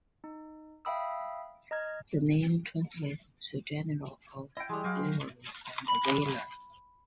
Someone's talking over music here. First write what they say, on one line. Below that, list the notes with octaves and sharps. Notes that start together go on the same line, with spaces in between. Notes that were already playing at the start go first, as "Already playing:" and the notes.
The name translates to "General of Bravery and Valor".
D#4
E5 F5 G5 B5 D#6 E6
D#5 A#5 F6 G#6
E4 D#5 G5
E3 G3 G#3 G4
F#3 F#4 F5 G5
B5